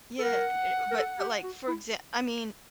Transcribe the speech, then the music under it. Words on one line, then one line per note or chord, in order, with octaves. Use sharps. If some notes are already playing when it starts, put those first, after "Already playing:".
Yeah, eh but but, like, for exa I mean,
A4
A#4 F#5
A#4
A4
G4
F#4
E4